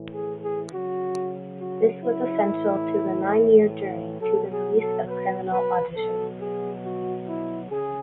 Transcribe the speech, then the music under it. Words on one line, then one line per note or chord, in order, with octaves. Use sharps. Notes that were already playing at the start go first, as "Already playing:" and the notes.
This was essential to the nine year journey to the release of Criminal Audition.
Already playing: A2 E3
G#4
G#4
C#3 F#3 F#4
F#4
E4
A2 E3
B2 F#3 A4
G#4
A4
B4
B4
B2 F#3 A4
G#4
F#4
E4
C#3 G#4